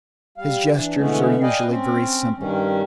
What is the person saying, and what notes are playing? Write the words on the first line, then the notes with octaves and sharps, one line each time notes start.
His gestures are usually very simple.
G3 F5
E3 D4
D3 E3 G#3 A3 B3 C#4
B4 D5 D#5 F5 G5 G#5
C4 C#4
G2 D#3 G3 C#4